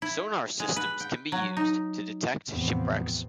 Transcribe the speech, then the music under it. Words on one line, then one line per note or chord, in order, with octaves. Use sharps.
Sonar systems can be used to detect shipwrecks.
E4
G#3
B4
G5
F#3
D#4
E2 A2 C3 F3 B3 C4